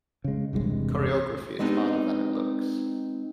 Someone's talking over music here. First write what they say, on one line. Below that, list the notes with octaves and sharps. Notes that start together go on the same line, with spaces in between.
Choreography is harder than it looks.
C#3 G#3
E1 C2 G2 G#3
G#3 B3 C4 D4 D#4 G4